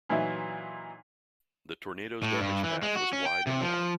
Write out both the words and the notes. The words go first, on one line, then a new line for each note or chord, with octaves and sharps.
The tornado's damage path was wide and long.
A#2 E3 F#3 D#4 E4
A2
G2
E3
G#3
F#4
C#4
G5
C3
F3